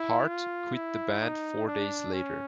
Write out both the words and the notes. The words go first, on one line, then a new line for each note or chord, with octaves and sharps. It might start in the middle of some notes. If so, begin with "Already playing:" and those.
Hart quit the band four days later.
Already playing: E4
F4
E4
D#4
D4
C#4